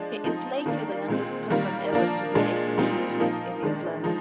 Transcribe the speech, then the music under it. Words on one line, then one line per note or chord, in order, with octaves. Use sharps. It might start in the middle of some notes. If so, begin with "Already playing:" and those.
He is likely the youngest person ever to be executed in England.
Already playing: F3 G#3 D4
F3 C4 D#4
D#3 A#3 D4
A#2 G#3 C4
D#3 G3 A#3
F3 A#3 D4
A#2 G#3 D4
A#2 G3 C4 D#4
F3 A#3 D#4
D#3 G#3 D4
F3 G#3 D#4